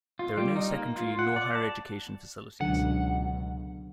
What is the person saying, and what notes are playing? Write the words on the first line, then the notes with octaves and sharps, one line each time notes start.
There are no secondary nor higher education facilities.
F4
G3
D#4
A#3
F4
F#5
D5
A5
C#2 B2 D3 F#3 D4 F#5